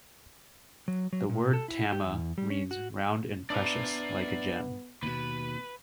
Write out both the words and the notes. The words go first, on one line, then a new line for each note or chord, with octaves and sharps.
The word "tama" means "round and precious", like a gem.
F#3
F#3
A#2
A4
E4
G4
E2
G3
C#4
F#4
B3 D4 E4 D5 A#5
D#2 B2 B4